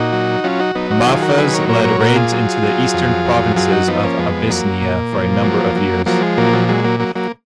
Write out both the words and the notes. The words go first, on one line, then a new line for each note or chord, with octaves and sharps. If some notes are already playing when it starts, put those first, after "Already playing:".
Mahfuz led raids into the eastern provinces of Abyssinia for a number of years.
Already playing: A#2 D#4 F#4
F#3
F#3 C#4 F4
D#4 F#4
F#3 B3 D#4
D#4 F#4
D#3 F4 G#4
F#4 A#4
F#3 G#4 B4
A#4 C#5
A#2 A#4 C#5
A#4 C#5
A#2 F#4 A#4
F4 G#4
F#3
F#3
F2
F#3
F#2 F4 G#4
D#4 F#4
F3 B3 D#4
A#3 C#4
F2 G#3 B3
F#3 A#3
A#2
F3
F#3
F#3
F3 F#3 A#3
G#3
A#2 F#3 A#3
F#3
F#3 G#3
F#3 A#3
F#3 A#3
F#3 A#3